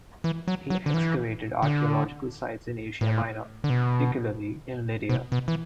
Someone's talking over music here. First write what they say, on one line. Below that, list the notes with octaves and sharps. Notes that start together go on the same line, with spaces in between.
He excavated archaeological sites in Asia Minor, particularly in Lydia.
E3
F#3
F#3
D3
E3
D3
A2
D3
B2
B2
B2
E3